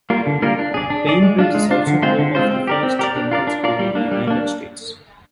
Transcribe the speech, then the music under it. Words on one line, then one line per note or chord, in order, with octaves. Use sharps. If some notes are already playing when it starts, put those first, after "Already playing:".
Bainbridge is also home of the first dental school in the United States.
G3 A#3 F4 A#4
D3
G3 A#3 F4 A#4
D4
G#4 D5
D4
G#4 D5
G#3
D4 F4
G#3
D4 F4
D3
G#3 C4 F4 C5
D3
G#3 C4 F4 C5
C4
G4 A#4 D5
C4
G4 A#4 D5
D4
F4 A#4 D5
D4
F4 A#4 D5
G3
A#3 D4
G3
A#3 D4